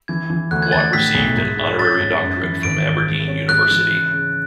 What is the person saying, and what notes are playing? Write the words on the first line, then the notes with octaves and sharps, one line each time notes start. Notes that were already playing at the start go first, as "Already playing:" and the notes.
Watt received an Honorary Doctorate from Aberdeen University.
E3 G#6
E3
D2 F#6
G#6
D2 A6
A2 B6
B1
G#2
G#3
C#4 A6
G#2
F#2
E3
G#1 D7
G#2
G#2
C#4
G#2 F#6
E3
C#3
C#3